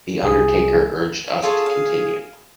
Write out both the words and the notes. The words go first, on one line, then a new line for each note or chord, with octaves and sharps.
The undertaker urged us to continue.
C2 G#4
F4 G#4 A4 C#5
F5